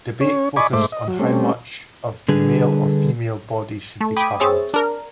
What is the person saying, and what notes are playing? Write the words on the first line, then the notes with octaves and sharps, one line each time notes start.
Debate focused on how much of the male or female body should be covered.
C#4 C#5
D5 D#5 G#5 B5 C#6 D6
G#2 A3 C5 E5 D6
D#5
F#3
G3 A3 C4 C#4
D3 G3 D4 G#4 B4
A3
G5 B5 D6 D#6 G#6
C4 G#4 C#5 E5 A6
D4 A#4